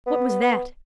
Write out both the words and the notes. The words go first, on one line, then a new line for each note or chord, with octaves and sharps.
"What was that?"
B3